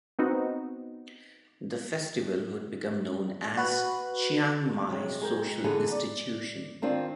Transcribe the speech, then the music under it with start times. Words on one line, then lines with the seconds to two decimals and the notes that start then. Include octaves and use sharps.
The festival would become known as the Chiang Mai Social Institution.
0.19 B3 C4 D#4 F#4
3.57 F#4 B4 F#6
4.89 C3 F#3 G#3
5.21 G#3 A#4 G5
5.64 D3 E3 B3 D#4 G#4
5.92 D5
6.82 D#3 C4 D4 F4